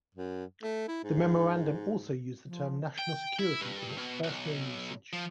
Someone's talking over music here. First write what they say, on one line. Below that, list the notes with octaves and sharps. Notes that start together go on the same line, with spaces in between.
The memorandum also used the term "national security" in its first known usage.
F#2
A3
E4
G#2
F3
G5
E4
G2
B2
B1
F3